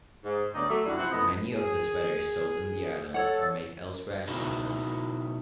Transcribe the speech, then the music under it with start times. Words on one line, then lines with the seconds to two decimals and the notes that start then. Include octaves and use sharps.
Many of the sweaters sold in the islands are made elsewhere in Ireland.
0.25 G#2
0.55 D2 B3 D#4 C#5 D5
0.69 F#3 A3
0.85 F#2 D#3 G3 D4 E4 F#4
0.98 C3 F3 C4 E4 F#5
1.12 F#2 A2 C3 B3 D#5
1.52 G#4
3.14 A4 C#5 F#5
4.28 B2 D#4 E4 F#4 A#4